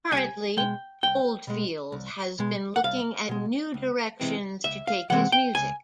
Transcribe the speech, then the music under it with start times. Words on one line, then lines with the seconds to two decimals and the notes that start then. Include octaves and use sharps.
Currently Oldfield has been looking at new directions to take his music.
0.12 C2 G#5
0.57 B2 G#3 G5
1.03 C2 G5
1.47 B2 G#3
1.92 C2
2.39 B2 G#3
2.76 F#5
2.84 C2 F5
3.29 B2 G#3
3.74 C#2
4.20 C3 E3 G#3 C4
4.64 C#2 E5
4.87 F5
5.10 C3 E3 G#3 C4 F#5
5.32 G5
5.55 C#2 G#5